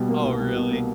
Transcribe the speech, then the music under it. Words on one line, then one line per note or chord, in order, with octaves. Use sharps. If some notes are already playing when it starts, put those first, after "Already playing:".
Oh, really?
Already playing: B2 G3
A#3
C2
G3
B2
A#3